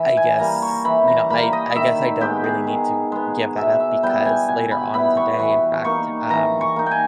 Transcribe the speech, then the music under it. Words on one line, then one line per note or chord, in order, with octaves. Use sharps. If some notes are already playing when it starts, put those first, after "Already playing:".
I guess you know, I I guess I don't really need to give that up because later on today, in fact, um
Already playing: E3
G#5
G3 A#3 A#5
C#6
E3 B5
A#5
G3 A#3 B5
D#5
D#3 E5
G#3 B3 G4
G#4
D#3
G#3 B3
B2 E5
E5
G3 B3 E4 G5
G#5
B2 G#5
B5
G3 B3 E4 B5
C#6
E3 C#6
A#3 D#4 C#6
E3 A#5
C#6
A#3 D#4
G5 G#5